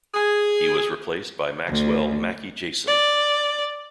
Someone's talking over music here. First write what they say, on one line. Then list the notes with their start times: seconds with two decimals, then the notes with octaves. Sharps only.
He was replaced by Maxwell "Mackie" Jayson.
0.15 G#4
1.67 D2
2.87 D5